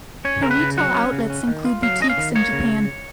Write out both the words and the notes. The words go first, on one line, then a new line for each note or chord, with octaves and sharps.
Her retail outlets include boutiques in Japan.
C#4 C#5
C#3 A#4
B4
C#3
F#3 F#5
C#4
C#3
C#4
D#3
F4
F#3 F5
C#4 D#5
F5
D#3
A#3 C#5
C#3